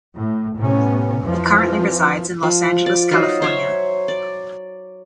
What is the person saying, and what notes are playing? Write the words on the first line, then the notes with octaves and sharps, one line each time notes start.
He currently resides in Los Angeles, California.
A2
A2 C3 B3 C#4
F2 E3 F3
F3
D5
F#3 D#4 F4
C5 C#5 E5
D5